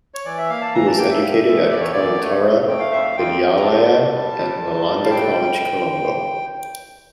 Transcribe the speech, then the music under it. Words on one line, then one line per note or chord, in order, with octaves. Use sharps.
He was educated at Kalutara Vidyalaya and Nalanda College Colombo.
C#5
E3 D5
E5
A#3 F5
A5
E3 A#5
A5
A#3 G5
E5
E2
E2
E2 D5
C#5
E2 D5
A3 C#5
F2
A3 G5
F5
F2 E5
F5
F2 G5
F2
A#5
D3 A5
F2
G3
A#2
A#2
G3
F5
A#2 G5